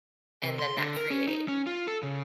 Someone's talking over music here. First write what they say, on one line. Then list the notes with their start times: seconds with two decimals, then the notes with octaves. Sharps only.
and then that create
0.43 C3
0.59 C6
0.78 D3
0.97 A#4
1.10 C#4
1.28 D#4
1.48 C#4
1.67 F4
1.87 A4
2.03 C#3